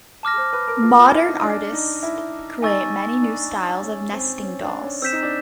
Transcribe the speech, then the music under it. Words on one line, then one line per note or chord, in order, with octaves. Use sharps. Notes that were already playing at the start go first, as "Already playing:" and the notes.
Modern artists create many new styles of nesting dolls.
A5 D6 F6 A#6
C5
B4
A#4
F4
F4
E4
D#4
D4
D#4
E4
D#4 G#5 C#6 E6 A6
D4
C#4
C4
C#4
D4
C#4
C4 E6 G6 B6 E7
D#4
D4